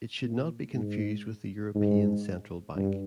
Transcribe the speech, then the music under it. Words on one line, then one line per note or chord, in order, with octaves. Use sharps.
It should not be confused with the European Central Bank.
A#2
G#2
G#2
G2